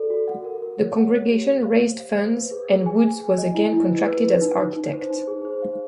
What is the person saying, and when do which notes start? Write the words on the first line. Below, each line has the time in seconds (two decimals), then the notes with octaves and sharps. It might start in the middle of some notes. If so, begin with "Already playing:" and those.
The congregation raised funds and Woods was again contracted as architect.
Already playing: F#4 A4 D5
0.10 F#4
0.28 F#5
0.45 A#4
0.62 A#4
0.79 C#5
0.96 F#5
1.14 C#5
1.31 G4
1.48 G4
1.65 F5
1.82 C5
2.00 F5
2.17 C5
2.34 B4
2.51 G#4
2.69 G#4
2.86 G#5
3.03 G#4
3.20 G#5
3.38 D#5
3.55 E4
3.73 E4
3.90 B4
4.07 B4
4.24 B4
4.42 D#4
4.59 D#4
4.76 D#4
4.93 C5
5.10 D#4
5.27 G#4
5.45 C5
5.62 F5